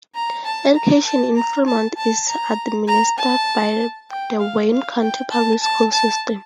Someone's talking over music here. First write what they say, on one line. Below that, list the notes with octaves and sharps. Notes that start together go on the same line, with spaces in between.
Education in Fremont is administered by the Wayne County Public School system.
A#5
A5
A#5
A5
A#5
A5
A5
A#5
A#5
A5
G5
F5
F5
G5
A5
A5
A5